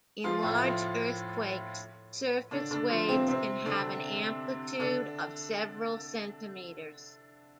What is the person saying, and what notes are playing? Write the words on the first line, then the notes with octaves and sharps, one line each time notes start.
In large earthquakes, surface waves can have an amplitude of several centimeters.
F3 F4
A2 A3
F3
D3 D4
D3 D4
F3 F4
C3 C4
C3 C4
D3 D4
D3 D4